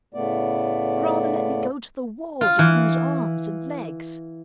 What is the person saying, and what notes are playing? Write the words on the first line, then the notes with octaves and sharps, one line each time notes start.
Rather let me go to the wars and lose arms and legs!
A2 C#3 A3 B3 D5
F4
E3